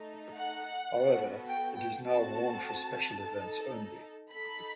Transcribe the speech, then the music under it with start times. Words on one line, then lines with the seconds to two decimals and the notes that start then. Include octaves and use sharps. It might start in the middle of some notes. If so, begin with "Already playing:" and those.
However, it is now worn for special events only.
Already playing: A3 D#4 A4
0.34 F#5
0.92 B3 F#4 A4
1.47 G5
1.76 G5
2.05 C4 F#4 A4 A5
3.18 D#4 A4
4.31 D#4 A4 B5